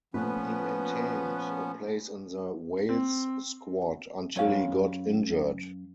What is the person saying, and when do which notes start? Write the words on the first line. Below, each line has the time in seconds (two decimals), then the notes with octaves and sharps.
He maintained a place in the Wales squad until he got injured.
0.14 A#2 F3 A3 B3 C#4 B4
2.89 C4
4.36 F#2 C#5 F5